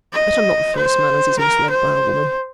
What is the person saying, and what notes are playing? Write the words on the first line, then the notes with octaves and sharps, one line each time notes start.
But I'm not the first man as is misled by a woman.'
D#5
C5
A#4
C5